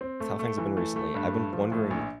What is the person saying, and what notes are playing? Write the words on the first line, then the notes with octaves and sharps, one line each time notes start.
with how things have been recently, I've been wondering,
C4
A3
A3
E3
A3
A3
G2
A3
F3
A2
A#1